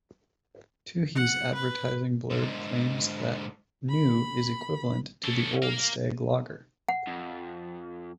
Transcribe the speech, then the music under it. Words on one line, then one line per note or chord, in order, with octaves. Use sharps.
Toohey's advertising blurb claims that New is equivalent to the old Stag lager.
F#5
B4
G#2 D3
B5
C#4 A4
A#4 F5
F#5
F2